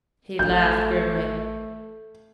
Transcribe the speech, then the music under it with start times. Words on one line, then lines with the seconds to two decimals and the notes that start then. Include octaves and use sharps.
He laughed grimly.
0.39 A1 A3 G6